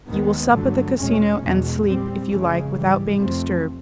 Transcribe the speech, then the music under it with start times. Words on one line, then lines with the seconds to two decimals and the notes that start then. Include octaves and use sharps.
You will sup at the casino, and sleep, if you like, without being disturbed.
0.08 D#2 D#3 G#3 B3
0.52 G2 D3 F#3 A3
0.97 E2 B2 G#3 C#4
1.41 E2 B2 G#3
1.84 A#2 G3 C4
2.29 F2 C#3 E3 G#3
2.73 G#2 E3 G3
3.18 F2 C3 F3 A3 C4